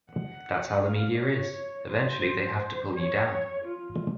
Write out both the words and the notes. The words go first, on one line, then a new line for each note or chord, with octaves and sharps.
That's how the media is: eventually they have to pull you down.
F#5
F5
C#5
C5
C#5
F4